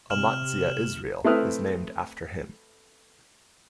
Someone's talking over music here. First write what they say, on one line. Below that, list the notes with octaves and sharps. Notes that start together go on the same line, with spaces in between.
Amatzia, Israel is named after him.
C3 F6 E7 F#7
A3 C4 E4 B4 D#6 F6